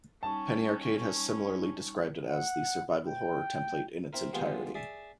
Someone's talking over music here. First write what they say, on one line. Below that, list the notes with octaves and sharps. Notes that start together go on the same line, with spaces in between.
"Penny Arcade" has similarly described it as "the Survival Horror template in its entirety".
G3 C#4 D#4 A5 C#6
F#5
G5
C4 E4 A#4
D#3 G3 G#3 B3 F4
G#4 D5 E5 A5